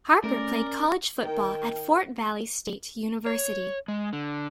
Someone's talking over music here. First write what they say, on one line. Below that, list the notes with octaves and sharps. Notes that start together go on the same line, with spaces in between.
Harper played college football at Fort Valley State University.
A3 C#4 A#4 D5
D#3 G5
C#5
G#3
D3